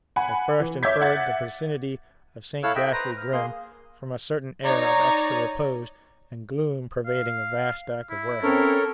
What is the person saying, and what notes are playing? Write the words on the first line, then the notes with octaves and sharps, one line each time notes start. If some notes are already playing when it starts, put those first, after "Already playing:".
I first inferred the vicinity of Saint Ghastly Grim, from a certain air of extra repose and gloom pervading a vast stack of warehouses.
F#5 G#5 B5
E3
C#5 E5 D6 G6 G#6 B6
E5 F#5 G#6 A6
E4 A4 C#5 F5 E6 F#6
D#5 E5 G5 F#6
B4 C5 A#5
F6
A#3 G#4 C6
D#4 C#5 D5 A#5
F5
E4
C4 C#4 A4 A#4 C#5